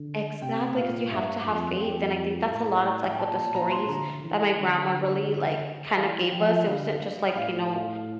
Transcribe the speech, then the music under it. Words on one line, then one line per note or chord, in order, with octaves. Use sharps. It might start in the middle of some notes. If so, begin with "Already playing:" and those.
Exactly, 'cause you have to have faith, and I think that's a lot of, like, what the stories that my grandma really, like, kind of gave us, it wasn't just, like, you know
Already playing: D3
C3 G5
A#2 F5
G2 E5
D6
F2 C6
F2 G5
A2
G5
A#2 A5
A5
A#2 A#5
C6
D3 A#5
E3
D3
E3 F5
F3 G5
D3 F5
A2 F5